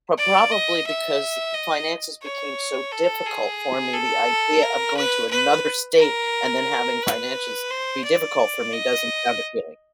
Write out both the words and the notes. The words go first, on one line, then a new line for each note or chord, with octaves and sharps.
Pro probably because finances became so difficult for me, the idea of going to another state and then having finances be difficult for me doesn't sound appealing.
D5
D#5
E5
D#5
C#5
A4
G#4
A4
A#4
B4
B4
A#4
B4
C5
D5
D#5